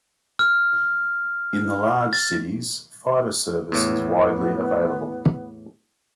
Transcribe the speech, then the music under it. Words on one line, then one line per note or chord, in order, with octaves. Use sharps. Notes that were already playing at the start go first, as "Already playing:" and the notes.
In the large cities, fiber service is widely available.
F6
A6
E2 A2 B3